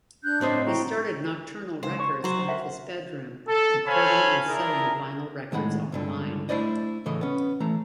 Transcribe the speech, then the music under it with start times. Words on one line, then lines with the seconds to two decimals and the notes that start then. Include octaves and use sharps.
He started Nokturnal Records out of his bedroom, importing and selling vinyl records online.
0.24 D4 F#6 G6
0.41 A2 C4 C5 D5 D#5
0.65 E4 F#4 G5 A#5
1.83 C#2 C5
2.00 C#5
2.24 F#3 F#4 C5
2.49 A#4 E5 F#5
3.48 A4
3.87 A4 C5 C#5 F5 G#5 B5
4.47 D4 E4 G#4 A#4
5.52 A2 D#3 G#3 F#5 B5
5.92 C#2 G2 D3
6.49 A3 D4 E4 C5 D5 D#5
7.06 A2 C#3 E3 A3 D#5
7.21 B3 C#4
7.60 E3 A3 A#5